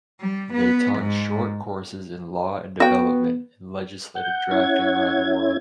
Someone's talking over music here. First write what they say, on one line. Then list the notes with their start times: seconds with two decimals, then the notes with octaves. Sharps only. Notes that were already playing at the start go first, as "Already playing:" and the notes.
They taught short courses in law and development and legislative drafting around the world.
0.20 G3
0.54 B3
0.99 G#2
2.80 B3 F#4 G5
4.16 F#5 G6
4.51 C#4 E4 G#6